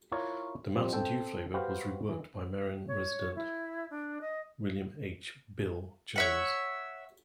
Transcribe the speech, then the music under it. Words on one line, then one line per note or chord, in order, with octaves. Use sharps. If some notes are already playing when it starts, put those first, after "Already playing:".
The Mountain Dew flavor was reworked by Marion resident William H. "Bill" Jones.
E4 F4 A#4 C#5 D5
F3 G3 C4
C4 A4 G5
F#4 G4 B4 C5 F5 G5
E3
C#5
E4
D4
D#5
C#5 E5 F#5